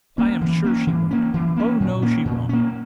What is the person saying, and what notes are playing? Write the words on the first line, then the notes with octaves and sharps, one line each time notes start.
I am sure she won't. Oh, no, she won't.
A#3 C#4
E3
A#3 C#4
E3
A#3 C#4
E3
A#3 C#4
A#2
A#3 C#4
A#2
A#3 C#4